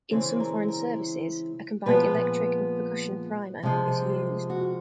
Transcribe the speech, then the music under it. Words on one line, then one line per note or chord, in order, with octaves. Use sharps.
In some foreign services a combined electric and percussion primer is used.
C#3 E3 G#3 C4 E4
A#4
A#4
A#2 F3 G#3 B3 B4
C3 F3 G#3
F#4